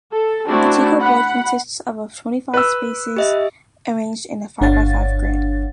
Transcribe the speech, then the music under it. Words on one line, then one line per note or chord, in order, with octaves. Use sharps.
The Teeko board consists of twenty-five spaces arranged in a five-by-five grid.
A4
A3 C4 D4 E4 F#4
F#5 B5
B4 E6
G4 D#5 E5
G1 D4 C#5 F5 F#5 A6